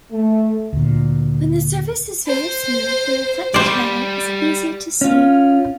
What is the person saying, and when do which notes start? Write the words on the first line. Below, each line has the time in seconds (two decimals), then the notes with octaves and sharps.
When the surface is very smooth, the reflected highlight is easy to see.
0.12 A3
0.73 D2 A#2
2.27 C5
3.54 G3 C5 D5
5.01 C#4 F4